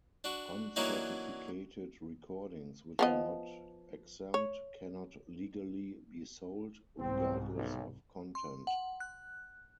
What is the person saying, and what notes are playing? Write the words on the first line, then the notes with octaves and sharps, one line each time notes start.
Uncertificated recordings which are not exempt cannot legally be sold, regardless of content.
D4 F#4
E3 F#3 A#3 D4 D#4 F#4
F3 B3 D#5
C#5
C2 G#2 C4
B1
C6
F#5
F#6